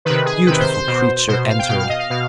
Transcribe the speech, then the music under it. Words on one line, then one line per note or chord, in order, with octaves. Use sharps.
A beautiful creature entered.
C3 D#3 B4
G#4
C3 D#3 B4
C5
C5
B2
B2 C5
F5
G5
B2 F5
F5
D#5
F5
B2 F5